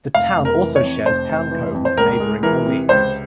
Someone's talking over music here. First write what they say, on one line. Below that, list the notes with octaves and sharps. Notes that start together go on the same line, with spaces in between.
The town also shares Town Cove with neighboring Orleans.
F1 F5
F1
A#4
E3
C#5
F2
F1 C5
F1
E3
F2
C5
C#2 A#4
G#3
E3 A#4
C3
C#2 C5